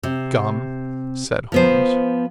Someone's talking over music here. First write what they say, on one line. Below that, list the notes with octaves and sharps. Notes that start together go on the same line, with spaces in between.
"Gum," said Holmes.
C3
F3 B3 C5